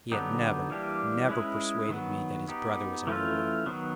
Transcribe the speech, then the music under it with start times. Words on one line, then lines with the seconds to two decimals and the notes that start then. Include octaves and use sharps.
He had never, never persuaded me that his brother was a murderer.
0.12 D3 F#3 B3 D#4 G4
0.70 E3 G3 A#3 D4 G4
1.29 G#3 C#4 E4 G#4 B4
1.89 D#3 F#3 B3
2.48 B3 D#4 G4
3.07 E3 A3 C#4 F4
3.66 D#3 F#3 B3